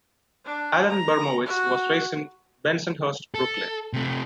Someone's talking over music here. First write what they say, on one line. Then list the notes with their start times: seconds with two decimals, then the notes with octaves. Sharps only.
Alan Bermowitz was raised in Bensonhurst, Brooklyn.
0.45 D4
0.89 A#5
1.46 F#4
3.34 A4
3.93 C3 A3